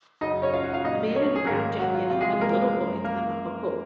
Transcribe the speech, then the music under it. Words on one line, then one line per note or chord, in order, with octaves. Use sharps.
A man in a brown jacket helping a little boy climb up a pole.
F#2 C#3 F#3 D#4 D#5
C#4 C#5
F4 F5
F#4 F#5
F4 F5
A#2 F#3 D#4 D#5
C#4 C#5
G#4
G#2 D#3 F#3 A#3 A#4
F#3 F#4
F4
C3 F3 G#3 F4
G#3 G#4
G#3 G#4
A#3 A#4
F#2 F3 G#3
A#3 A#4